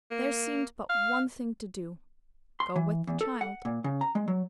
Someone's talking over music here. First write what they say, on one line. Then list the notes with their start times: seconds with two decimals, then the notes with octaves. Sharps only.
There seemed but one thing to do: go with the child.
0.11 A#3
0.89 F5
2.60 C6
2.76 E3
3.07 E2
3.21 A4
3.41 F#5
3.65 A#2
3.84 C#3
4.01 A#5
4.15 G#3
4.28 F#3